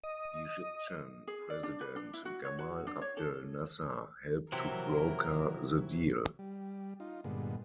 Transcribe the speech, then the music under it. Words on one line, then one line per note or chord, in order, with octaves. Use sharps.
Egyptian president Gamal Abdel Nasser helped to broker the deal.
D#5
G#4
D5
D4
B4
D4
E4
F#4
C#5
F#4
D4
C#5
A4
C3 E3 F#3 E4 A#4
G3
D#4 F4
G2 A#2 D3 G#3 B3